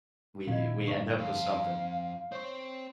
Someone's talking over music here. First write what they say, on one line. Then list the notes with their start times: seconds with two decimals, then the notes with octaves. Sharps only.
we we end up with something.
0.47 A#2 D#3 E4 D#5 F5
0.88 G2 D3 A#3 C#6
1.18 F2 F4 F5
2.32 C4 C5 C#5 C#6